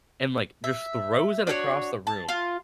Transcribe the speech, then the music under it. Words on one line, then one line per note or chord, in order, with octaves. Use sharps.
and, like, just throws it across the room,
E5
D4 F#4 A4 C#5
A5
F4